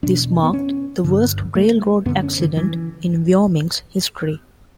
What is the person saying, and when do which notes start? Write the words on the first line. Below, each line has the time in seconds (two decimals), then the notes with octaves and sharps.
This marked the worst railroad accident in Wyoming's history.
0.03 E2 B2 D4
0.43 B3
0.53 C#4
1.04 G2 D3
1.55 A3
2.06 F#2 D3 B3
2.23 C#4
2.40 D3
2.57 E3